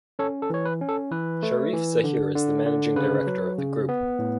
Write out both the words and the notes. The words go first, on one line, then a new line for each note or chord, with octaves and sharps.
Sharif Zahir is the Managing Director of the group.
C#4 A4 C#5
A4
E3 C#5
B4
C#4
A4
E3 B4
A3
E3
D3
D3
D3
C#3 B4
F#3
C#3
B3
A2